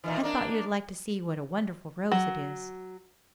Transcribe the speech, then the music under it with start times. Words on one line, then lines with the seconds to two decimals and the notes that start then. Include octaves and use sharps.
I thought you would like to see what a wonderful rose it is.
0.04 A#2 D#3 E3
0.23 A#3 D4
2.12 F#3